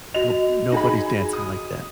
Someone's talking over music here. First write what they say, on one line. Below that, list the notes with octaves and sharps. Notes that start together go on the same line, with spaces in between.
No nobody's dancing like that.
F#4 D#5 F7
D#4 G#4 B5
D#6